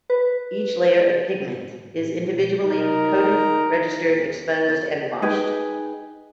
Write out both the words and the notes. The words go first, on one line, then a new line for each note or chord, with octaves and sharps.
Each layer of pigment is individually coated, registered, exposed and washed.
B4
D#4 A#4
D#4 G#4 B4 G5